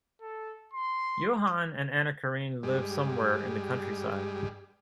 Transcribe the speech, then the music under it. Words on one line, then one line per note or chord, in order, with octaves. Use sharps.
Johan and Anna-Karin live somewhere in the countryside.
A4
C6
G2 G3 G#3